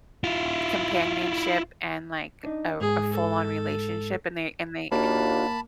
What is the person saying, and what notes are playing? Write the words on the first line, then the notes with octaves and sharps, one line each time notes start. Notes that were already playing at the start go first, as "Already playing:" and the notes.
companionship and, like, a r a full-on relationship, and they and they
E4 F4
D4 D#4
G#2 G#4
A4
D#2 A#3 D4 F4 F#4 A5 B5